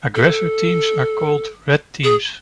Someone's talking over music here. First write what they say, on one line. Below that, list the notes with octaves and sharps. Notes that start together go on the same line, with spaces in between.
Aggressor teams are called "red" teams.
A4
G#4